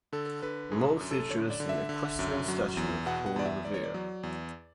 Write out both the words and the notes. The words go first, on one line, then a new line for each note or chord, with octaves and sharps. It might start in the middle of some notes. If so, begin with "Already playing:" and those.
The mall features an equestrian statue of Paul Revere.
D3 A4
D3 B4
F#2 G#4
F#2
A4
D3 C#5
D5
D3
E5
D3
F#2
F#3
E2
B2 F#5
F#5
E2 D5
E5
E2 D5
C#5
D5
F#3
E2